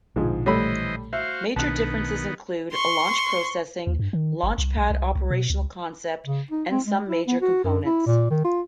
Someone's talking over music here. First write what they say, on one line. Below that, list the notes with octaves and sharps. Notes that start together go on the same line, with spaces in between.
Major differences include launch processing, launch pad operational concept, and some major components.
A#1 G#2 B2 D3 F3 G#3
E3 G3 A3 A4 C5 C#5 D#5 B5
F#4 C5 E5 F5
B1 D#3 B3 D4 A5 F#6
C6 C#6
D#2
G2
D#3
G1
C2
B1
C2
C2
B2
C#2
C#3
D#4
C4
G#3
E4
B3
F#4
F#2
E4
A#2
D#3
F4